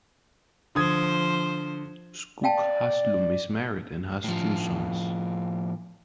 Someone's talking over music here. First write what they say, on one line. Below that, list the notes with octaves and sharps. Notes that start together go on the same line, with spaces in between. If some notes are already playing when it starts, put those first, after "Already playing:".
Skoog Haslum is married and has two sons.
D3 F3 C5 D#6 G#6
D5 F5 G5 A5
A2 F3